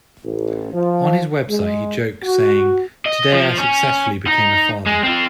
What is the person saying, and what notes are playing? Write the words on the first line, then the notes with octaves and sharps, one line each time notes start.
On his website he jokes saying, "Today I successfully became a father!"
A1
F3
G#3
F#4
D#5
F3
C#4
D#4
G#3
C4 F4